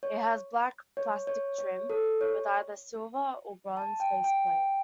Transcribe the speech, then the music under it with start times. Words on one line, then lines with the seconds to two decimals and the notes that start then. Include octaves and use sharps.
It has black plastic trim with either a silver or bronze face plate.
0.03 C#5
0.97 C#5
1.27 C#5
1.59 C#5
1.90 A4
2.21 C#5
3.77 A5
4.00 G5
4.24 G5
4.47 G5